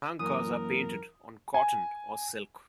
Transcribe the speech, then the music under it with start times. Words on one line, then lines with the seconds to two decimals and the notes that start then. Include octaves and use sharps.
Thangkas are painted on cotton or silk.
0.19 F#2 E3 A#3 A#4 D#6
1.54 G#5